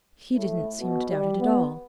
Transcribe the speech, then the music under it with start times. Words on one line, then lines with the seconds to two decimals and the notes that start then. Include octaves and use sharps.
"He did'nt seem to doubt it at all."
0.35 A2
0.80 B2
1.10 G3
1.40 B3